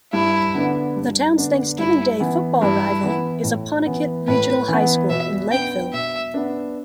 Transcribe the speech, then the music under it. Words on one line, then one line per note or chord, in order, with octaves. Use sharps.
The town's Thanksgiving Day football rival is Apponequet Regional High School, in Lakeville.
G2 E4
D3 B3 D4
G2
D3 B3 D4
G2 E4
E3 B3
G2 E4
E3 B3
A2
E3 B3
A2 B4
E3
B3
B2 E5
B3 D4 G5
B2 E5
B3 D4